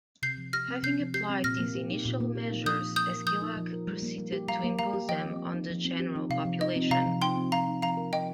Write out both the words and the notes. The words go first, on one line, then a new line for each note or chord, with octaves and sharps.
Having applied these initial measures, Esquilache proceeded to impose them on the general population.
C3 G6 C7
F3
G4 F6 A#6
C4
C3 G6 C7
F3
G4 G6 C7
C4
A#2 F6 A#6
A#3
G4
D#4
A#2
A#3
G4
D#4
F3 D#6 G6
D#4
F3 D#6 G6
A#4
F3 D#6 G6
D#4
F3
A#4
G3
A#3
G3
G4
G3 F5 A#5
A#3
G3 F5 A#5
G4
F3 D#5 G5
C4
G4
D#4
F3
C4
G4
D#4
C3 F5
F3
D#4 D#5
C4
C3 F5 A#5
F3
D#4 G5 C6
C4
F3 F5 A#5
D#4
F3 F5 A#5
A#4
F3 D#5 G5